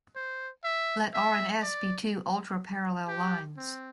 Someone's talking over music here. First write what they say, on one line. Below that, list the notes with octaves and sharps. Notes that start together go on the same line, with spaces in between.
Let r and s be two ultraparallel lines.
C5
E5
E5
D5
G4
C4